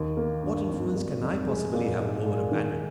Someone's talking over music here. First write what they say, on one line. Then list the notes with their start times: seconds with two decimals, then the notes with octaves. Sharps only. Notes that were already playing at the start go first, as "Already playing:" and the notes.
"What influence can I possibly have over a bandit?"
Already playing: D#2
0.17 A#3
0.43 G2
0.69 G#1
0.95 G3
1.21 F2
1.47 G#3
1.74 A#2
1.99 G#2
2.26 G#3
2.51 D#3